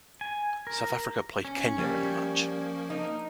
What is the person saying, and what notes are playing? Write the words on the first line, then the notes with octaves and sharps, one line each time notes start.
South Africa played Kenya in the match.
G#5
A#4
C#4
F3 G3 A#3 A#4
D#4